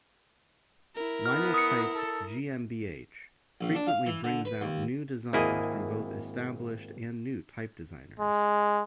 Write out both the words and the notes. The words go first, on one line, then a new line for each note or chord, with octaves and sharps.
Linotype GmbH frequently brings out new designs from both established and new type designers.
E4 A#4
B3 F6
D#6 C#7
A4
A#1
D4
F5
E3
D3
B4
D#2
G#1 A#3 E4 G#4 D#5
G#3